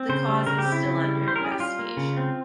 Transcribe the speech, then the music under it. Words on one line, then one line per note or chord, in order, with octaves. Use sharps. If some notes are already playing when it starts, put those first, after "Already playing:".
The cause is still under investigation.
Already playing: C4
C#3 C5
G3
C#3 A#4
G4
C4
E4
C#3
G3
G3
C5
A#4
C#4 G#4
G4
G3 F4
A#3
C#3
C4